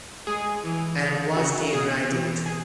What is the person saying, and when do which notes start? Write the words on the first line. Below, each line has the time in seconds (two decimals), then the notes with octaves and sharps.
And watched him write it.
0.27 G#3 G#4
0.63 E3
1.00 C#3
1.36 C#3 F#4
1.73 B2 G#4
2.10 E3
2.46 G#4